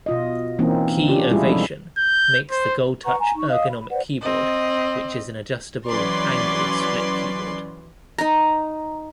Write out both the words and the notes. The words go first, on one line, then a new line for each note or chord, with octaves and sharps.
Key Ovation makes the Goldtouch ergonomic keyboard which is an adjustable angled split keyboard.
B2 F4 D#5
E3 A#3 C4 C#4 D#4
C#4 D4 F4 G4
G3 G#3 E4 F4 G#4
C3 F3 C#4 D#4 F4 A4
G6
C5
B4 F#5 A#5 C#6
G#5 A#5
D#4 C#6
D#5 F5 D#6
B5
B4 C5 D5 F#5
C4 D#5
E3 F#3 C#4 B4 D5 C6
D#4 A#5